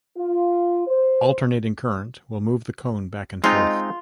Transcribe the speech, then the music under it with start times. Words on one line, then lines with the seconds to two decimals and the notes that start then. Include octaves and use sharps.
Alternating current will move the cone back and forth.
0.17 F4
0.88 C5
3.44 G#3 C4 D#4 F4